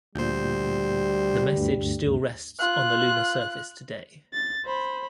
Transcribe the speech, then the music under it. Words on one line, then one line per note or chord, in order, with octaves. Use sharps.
The message still rests on the lunar surface today.
D2 A#2 G3 C5 G6
D2 G2
F4 F#6
A6
C5 B5